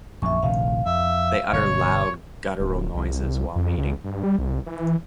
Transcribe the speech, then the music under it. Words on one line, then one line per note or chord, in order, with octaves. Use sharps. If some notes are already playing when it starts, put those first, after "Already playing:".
They utter loud guttural noises while mating.
A#1 F#2 E5 C#6
F1 A#1 D#3 F5
F2 E5
G1 B2 C#5
D1
C2
F2
C#2
G2
G3
C2
E3